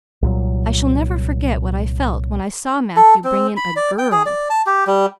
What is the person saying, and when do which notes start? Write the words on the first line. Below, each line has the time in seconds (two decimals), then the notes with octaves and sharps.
I shall never forget what I felt when I saw Matthew bringing in a GIRL.
0.22 C2 A#2 F#3
2.96 A4
3.24 C4
3.57 B5
3.76 D5
3.99 G5
4.12 G#4
4.26 D5
4.50 A5
4.66 G4
4.87 G3